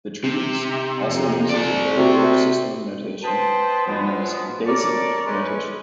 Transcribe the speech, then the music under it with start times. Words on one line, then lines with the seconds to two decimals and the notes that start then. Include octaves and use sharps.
The treatise also uses a very rare system of notation, known as Daseian notation.
0.24 C3
0.66 D#4
1.08 F2
1.50 C4 D5
1.97 C3 F#4
3.24 B4 C5 D#5 G5 A5
3.86 F3 F#3 G#3 B3
4.66 A4 A#4 C#5 D5
5.26 G#3 C#4 B4